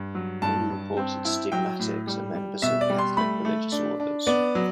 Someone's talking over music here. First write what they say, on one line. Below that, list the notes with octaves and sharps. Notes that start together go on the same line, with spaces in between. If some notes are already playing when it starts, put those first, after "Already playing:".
Many reported stigmatics are members of Catholic religious orders.
Already playing: G2
F#3
G2 A5
G2
C4
E4
F#3 G5
A2
G3
G3
B2 E5
D5
G3
C6
A3 B5
A3
D4
D4
B3 D5
F#3